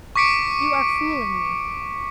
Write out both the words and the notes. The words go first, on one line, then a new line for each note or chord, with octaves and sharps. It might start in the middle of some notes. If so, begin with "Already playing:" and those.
"You are fooling me."
C#6 D6 B6 C#7 D7